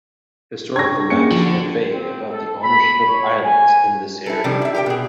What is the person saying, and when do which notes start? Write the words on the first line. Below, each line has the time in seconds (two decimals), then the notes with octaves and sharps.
Historical maps are vague about the ownership of islands in this area.
0.76 D4 G5 C#6 G#6 A#6
1.10 A#3 C#4 G#4 C#7
1.31 D3 F3 F#4
1.90 C4
2.31 A4
2.62 B5
3.07 C#5
3.43 G#5
4.26 E4 A4
4.44 C3 D#3 F3 G3 D4
4.62 E4 E5
4.75 G4 A#4 G5
4.86 B2 G#4